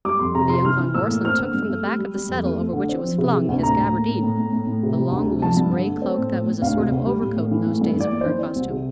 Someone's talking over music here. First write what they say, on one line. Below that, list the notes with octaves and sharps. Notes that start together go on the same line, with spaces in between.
The young von Borselen took from the back of the settle, over which it was flung, his gabardine--the long, loose gray cloak that was a sort of overcoat in those days of queer costume.
G3 D6
F2 C6
C3 A#5
C3 C6
E3 F6
E3
A2 E6
A#3
C4 F6
D3
G2
A3
G3
G3
G3
F2
A3
A3
D3
C4
F3
C3
C3
D2
A2 A#5
A2
A#3
A2
A2
A2
A2
A2
C3
G3
D2
C3
F3 A5
G2
D3
A3
C4
A2
A2
A2
D2 F5
C3
D2
G3
A2
A2
E3
A3
G2
E3 D5
A#3
C5
E3
C4
C2
C3